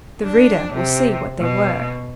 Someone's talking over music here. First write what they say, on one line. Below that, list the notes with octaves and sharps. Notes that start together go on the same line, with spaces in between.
The reader will see what they were.
D4
C3
B2